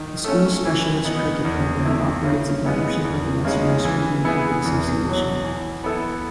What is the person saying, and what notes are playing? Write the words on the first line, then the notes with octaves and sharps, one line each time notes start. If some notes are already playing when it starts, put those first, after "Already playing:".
The school's specialist cricket program operates in partnership with the Western Australian Cricket Association.
Already playing: D#3
A3 C#4
E3
B3 D#4
E2
D#3 A3 E4
C#3
G#3 B3 E4
E2
C#3 G#3 D#4
E3
B3 E4 G#4
E2
B2 F#3
E3
B3 E4 A4